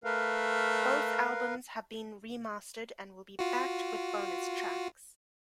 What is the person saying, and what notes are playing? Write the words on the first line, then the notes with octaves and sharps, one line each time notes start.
Both albums have been remastered and will be backed with bonus tracks.
A3 A#4 B4 F5
F4 F#4